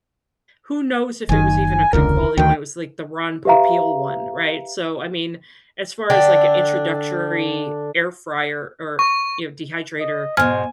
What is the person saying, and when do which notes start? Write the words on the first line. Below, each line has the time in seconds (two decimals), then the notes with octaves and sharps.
who knows if it was even a good quality one, it was like the Ron Popeil one, right? So, I mean, as far as, like, an introductory air fryer or you know, dehydrator,
1.29 F#1 D#3 G#5
1.93 E1 C#2 D3 A#4
2.37 D2 D#3 G5
3.45 G4 B4 E5 F5 A#5
6.10 D3 D4 A4 G5
8.99 C#6
10.00 D#5
10.37 G#2 B2 C5 G#5 F6